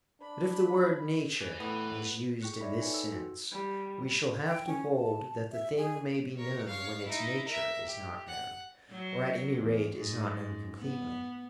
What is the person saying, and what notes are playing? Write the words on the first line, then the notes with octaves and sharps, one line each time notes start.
But if the word 'nature' is used in this sense, we shall have to hold that the thing may be known when its 'nature' is not known, or at any rate is not known completely.
D4 B5
B4 G#5
A2 B3
G#4 G5 C#6 F#6 C#7
D#4 C#5 D5 E5 B5 C#6
D#4 A4 B4 G5 G#5 C#7
E6
F#4
G3
G5
C#4
A5
E5
G#4
A#4 C#5
C#5 F5
D#4 E4
A#4 E5
G4
F#5
F#3
E2
G#2
B3